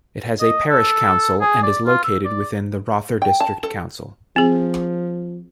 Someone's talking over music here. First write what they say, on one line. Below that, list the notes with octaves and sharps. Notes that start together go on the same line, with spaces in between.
It has a parish council and is located within the Rother District Council.
D#5
A4
G#4
D5
F4
E6
D5
G5
A5
A4
F3 C4 G#4